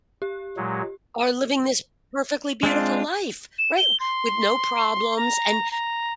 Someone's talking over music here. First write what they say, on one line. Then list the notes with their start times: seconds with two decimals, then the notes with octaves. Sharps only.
are living this perfectly beautiful life. Right, with no problems, and
0.22 G4
0.57 A#2 F#3 G#3
2.63 G#3 C4 D4 F4
3.58 E7
3.77 G7
4.00 C6
5.17 A#5
5.71 A#5